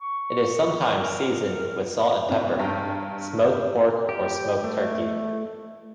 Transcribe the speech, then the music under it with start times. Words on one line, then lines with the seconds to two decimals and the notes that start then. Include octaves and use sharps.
It is sometimes seasoned with salt and pepper, smoked pork or smoked turkey.
0.01 C#6
0.99 A#4
2.29 G#2 B2
2.59 G2 G5 A#5
3.42 G4
4.09 G4
4.64 A3